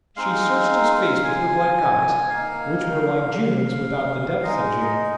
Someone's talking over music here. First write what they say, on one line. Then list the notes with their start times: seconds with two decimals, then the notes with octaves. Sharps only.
She searched his face with her black eyes, which were like June's without the depths of June's.
0.16 G#3 C4 D#4 F5
1.23 G#5
2.30 A#3 D#4 F5
3.36 F5
4.43 G#3 D#4 D#5
4.96 D#5